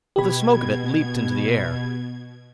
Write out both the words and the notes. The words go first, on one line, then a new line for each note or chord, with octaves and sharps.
But the smoke of it leaped into the air.
B2 G4 B5 G#6